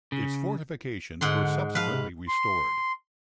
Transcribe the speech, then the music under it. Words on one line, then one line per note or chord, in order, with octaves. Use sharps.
Its fortifications were subsequently restored.
C#3
G#2 D3 F#5 C6
F3 B4 F5
C3
C6